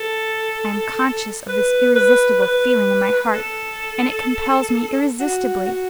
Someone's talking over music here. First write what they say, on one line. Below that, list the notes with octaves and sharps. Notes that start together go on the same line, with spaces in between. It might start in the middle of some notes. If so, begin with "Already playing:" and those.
I am conscious of this irresistible feeling in my heart, and it compels me irresistibly.
Already playing: A4
B4
B4
B4
A4
F#4
F#4